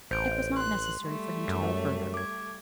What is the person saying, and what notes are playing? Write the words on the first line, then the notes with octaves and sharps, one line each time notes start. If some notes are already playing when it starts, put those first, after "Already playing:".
It was not necessary for him to go further.
A1 C5 G6 D7
C6 F#6
G3 A3
F#2
D6 G#6